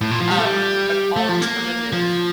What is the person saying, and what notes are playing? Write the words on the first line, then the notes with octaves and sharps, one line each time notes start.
um, an alternative
A2
A#2
F3
G3
A3
G3
A3
F3
A#3
F3